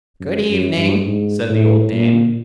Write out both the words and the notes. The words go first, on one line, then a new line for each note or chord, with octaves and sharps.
'Good evening!' said the old dame.
F#2
F#2
G2
G#2
A2
A#2